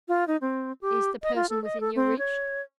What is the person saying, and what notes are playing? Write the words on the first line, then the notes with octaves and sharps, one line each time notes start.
"Is the person within your reach?"
F4
D#4
C4
G4
D#5
F4
A4
D#5
A4
C4
C#5